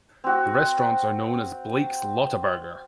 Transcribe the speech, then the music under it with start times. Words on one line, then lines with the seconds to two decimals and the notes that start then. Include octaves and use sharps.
The restaurants are known as Blake's Lotaburger.
0.24 C4 F#4